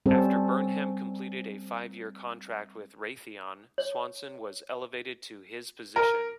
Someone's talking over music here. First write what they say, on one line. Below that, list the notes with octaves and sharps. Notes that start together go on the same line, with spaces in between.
After Burnham completed a five-year contract with Raytheon, Swanson was elevated to his position.
G3 C4 C#4 A4
C#5
A#4